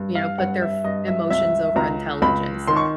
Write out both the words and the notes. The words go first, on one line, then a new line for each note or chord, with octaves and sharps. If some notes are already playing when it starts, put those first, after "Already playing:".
you know, put their f emotions over intelligence.
Already playing: G2
F5
G2 F#5
E5
G2 D#5
E5
C#2 E5
C#2 A#5
C#2 B5
D#3 C6
C#6